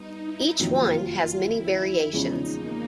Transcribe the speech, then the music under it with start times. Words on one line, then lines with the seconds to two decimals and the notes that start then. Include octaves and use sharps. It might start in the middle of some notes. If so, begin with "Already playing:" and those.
Each one has many variations.
Already playing: G2 B3 D#4
0.22 E4
0.60 F#1 F2 C3 D#3 F#3 F4
0.98 F4
1.36 E4
2.13 E2 C#3 F3 G#3 C#4 D#4
2.51 A#3